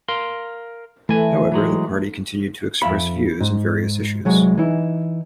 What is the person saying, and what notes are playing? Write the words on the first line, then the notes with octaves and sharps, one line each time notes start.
However the party continued to express views in various issues.
A#4 F5 C6
E3 A3 G#5
E3 F#3 G#3
F2 E5 F5 B5
G#2
C2 F#3 G#3
E3 D#4 E4